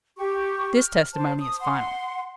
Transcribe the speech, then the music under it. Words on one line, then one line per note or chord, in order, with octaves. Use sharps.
This testimony is final.
G4 C#6
F6
C5 A5
D#6
F#5 C6